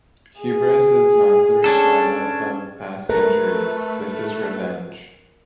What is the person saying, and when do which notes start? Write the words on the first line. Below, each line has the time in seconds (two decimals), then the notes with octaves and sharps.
Hubris is not the requital of past injuries; this is revenge.
0.40 G#4
1.64 C#4 D4 A4
3.09 A3 A#4 B4